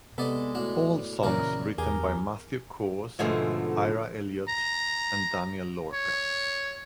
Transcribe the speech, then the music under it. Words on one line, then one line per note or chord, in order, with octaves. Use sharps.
All songs written by Matthew Caws, Ira Elliot and Daniel Lorca.
C3 G#3 B3 A4 D5 D#5
A2 D4 F#4
E2 A#2 C#3 E3 C#4 D4 A#4
E2 G4 G#4 A#4
G#2 B2 D3 F3 G#3 A3
A#5
C#5